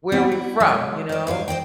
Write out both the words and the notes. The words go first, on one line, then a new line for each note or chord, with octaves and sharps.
where we're from, you know?
B3 C4 E4 C#5 F#5 G5
E4
F#3 G#3
C5 D5
G2 G3 E4 F5
C5 D5 D#5 G5